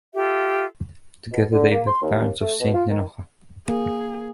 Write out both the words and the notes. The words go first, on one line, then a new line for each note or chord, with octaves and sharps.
Together they were the parents of Saint Nennocha.
F4 G4 A4 E5
B2
D3
A#3
C6
D#2
A3
B2
F4
D#3
A#3 G#4